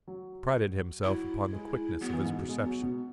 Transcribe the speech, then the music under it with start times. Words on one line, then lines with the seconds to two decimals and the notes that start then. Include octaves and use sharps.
He prided himself upon the quickness of his perception.
0.07 F#3
1.04 F#3 E4
1.53 G#3
2.01 F#3 B3
2.13 E3
2.25 G#2
2.38 B2
2.49 G#3
2.66 F#3
2.82 B2